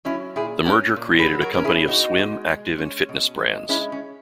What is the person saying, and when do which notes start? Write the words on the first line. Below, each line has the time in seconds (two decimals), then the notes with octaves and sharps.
The merger created a company of swim, active and fitness brands.
0.05 F#3 C#4 E4
0.36 A#2 E4 G#4
0.65 C#4 F#4 A#4
0.96 A#2
1.19 G#4 B4
1.26 F#3
1.41 F#4 A#4
1.54 C#4 A#4
1.64 E4 G#4
1.87 B2 D#4 F#4
2.18 G#3
2.48 G#3
2.78 C#4
3.09 B2
3.39 G#3
3.69 G#3 C#4 E4
3.92 C#4